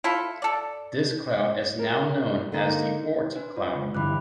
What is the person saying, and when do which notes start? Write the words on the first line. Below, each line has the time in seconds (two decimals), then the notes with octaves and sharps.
This cloud is now known as the Oort Cloud.
0.04 E4 F4 A4
0.42 A4 D5
1.79 A#4
2.52 D3 A#3 D#4 D#5
3.35 D4 B4 C5
3.57 F4
3.75 C#2
3.95 G2 D3 E3 B5 D6 F#6